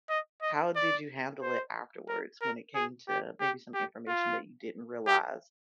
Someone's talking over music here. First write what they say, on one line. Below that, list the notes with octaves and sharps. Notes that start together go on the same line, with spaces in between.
How did you handle it afterwards when it came to, uh, maybe some information that you didn't realize
D#5
D#5
D5
C5
A#4
A#4
G#4
G4
G4
G4
F4
G4